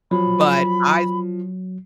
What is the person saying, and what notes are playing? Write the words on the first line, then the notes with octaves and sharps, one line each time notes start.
But I
F3 F#3 B5